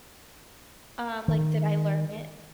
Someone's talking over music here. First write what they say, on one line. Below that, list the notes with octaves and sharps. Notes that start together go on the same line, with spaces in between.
Um, like, did I learn it?
D#3